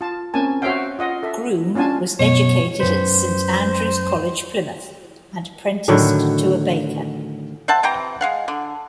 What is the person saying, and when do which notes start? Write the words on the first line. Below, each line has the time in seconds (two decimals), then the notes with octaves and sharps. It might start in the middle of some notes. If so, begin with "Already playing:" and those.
Groom was educated at Saint Andrew's College, Plymouth and apprenticed to a baker.
0.01 F4 A5
0.34 A#3 C4 C#4 G#5 A5
0.62 F#4 C5 C#5 E5 F5 G5
0.99 F4 D#5 F#5
1.23 A4 E5
1.75 C#4 D4 F4 G#5 A5
2.19 F#2 B2 C#5
2.80 F#2 A#2 B4 C5
5.88 A2 D3 D#3 F#3
7.68 C5 E5 F#5 A5
7.83 C3 E3 G5 A#5
8.21 G#3 F5 F#5
8.48 D3